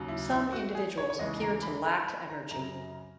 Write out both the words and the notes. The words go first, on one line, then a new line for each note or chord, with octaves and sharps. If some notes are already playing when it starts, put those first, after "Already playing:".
Some individuals appear to lack energy.
Already playing: D#2 C#3 F#3
E4
E4
F#4
G#4
C#5
C#5
D#2 C#3 E3 G#3 D#5
A#5
B5
A#5
B5
A#5
F#2 C#3 F#3 A#5